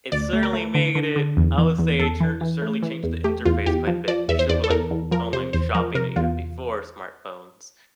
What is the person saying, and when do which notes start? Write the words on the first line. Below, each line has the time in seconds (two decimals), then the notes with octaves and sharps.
it certainly made it I would say, it tur certainly changed the interface quite a bit initially with, like, online shopping even before smartphones.
0.12 D2 D5
0.33 A3
0.43 A#4
0.53 A3
0.75 D3
0.95 D3
1.16 D3
1.37 E2
1.58 E3
1.79 E2
1.99 E2 A4
2.20 E3
2.41 E3
2.62 A3
2.82 E3
3.04 E2
3.24 A3 G4
3.45 E2 F4
3.66 E2 G4
3.87 F3
4.08 F3 D5
4.28 E2 E5
4.39 C5
4.49 E2 D5
4.64 A4
4.70 E2 A#4
4.91 E2
5.11 F3 A#4
5.33 C3 C5
5.53 E2 C5
5.74 F3 A#4
5.95 C3 A#4
6.16 E2 F4